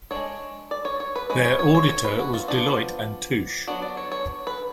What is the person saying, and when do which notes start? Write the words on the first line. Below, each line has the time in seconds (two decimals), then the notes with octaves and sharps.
Their auditor was Deloitte and Touche.
0.11 G#3 D4 C#5
0.71 D5
0.85 C#5
1.00 C#5
1.16 B4
1.30 G#3 C#4 B4
1.45 C#5
1.59 C#5
1.75 C#5
1.89 C#5
2.05 B4
2.19 F#4
2.34 F4
2.48 F3 B3 D4
3.67 F#3 B3 D4 F#4
3.82 D5
3.97 C#5
4.12 C#5
4.47 B4